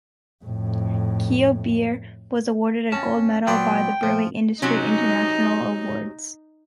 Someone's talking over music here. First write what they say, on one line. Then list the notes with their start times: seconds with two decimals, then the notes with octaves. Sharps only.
Keo beer was awarded a Gold Medal by the Brewing Industry International Awards.
0.45 F2 A2
2.92 F2 C#4 A5
3.47 A#2 F#3 B3 C5 D5 G5
4.03 A#2 F3
4.62 C3 F#3 C#4 D#4